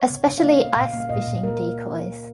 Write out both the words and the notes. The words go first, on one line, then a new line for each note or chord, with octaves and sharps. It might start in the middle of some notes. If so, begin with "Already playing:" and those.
Especially ice fishing decoys.
Already playing: C#5
C#3
C#3
F5
A#3 D#5
C#3 F5
A#2 F5
A#3
F5
A#2 D#5
A#2
A#3 A#4